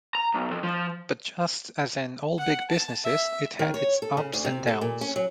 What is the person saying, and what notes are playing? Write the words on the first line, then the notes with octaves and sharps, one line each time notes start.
But just as in all big businesses, it had its ups and downs.
A#5
B1
F2
F3
F#5
A5
E5
D#3
C#5
A4
C#3
D2
C3
A4
A#2
C#4
F#3